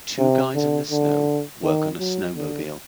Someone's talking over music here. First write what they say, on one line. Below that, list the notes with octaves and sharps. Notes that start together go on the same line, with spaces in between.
Two guys in the snow work on a snowmobile.
C3
D3
D3
D#3
F#3
D3